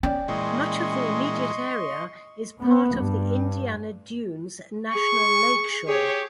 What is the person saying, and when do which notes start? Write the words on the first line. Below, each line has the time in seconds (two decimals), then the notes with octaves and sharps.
Much of the immediate area is part of the Indiana Dunes National Lakeshore.
0.03 C#4 D5 G5
0.28 A#2 E3 G#3 D#5 C6 C#6
2.60 B3
2.95 G2
4.91 G#4 C#6
5.87 G4 G#4 C#5